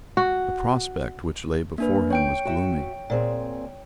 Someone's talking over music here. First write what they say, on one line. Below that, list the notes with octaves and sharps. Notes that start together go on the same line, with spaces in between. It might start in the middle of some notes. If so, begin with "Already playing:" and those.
The prospect which lay before him was gloomy.
F#4
A#3 D4 B4
C#5 G5 D7
F#4 E5
A#2 C4 G#4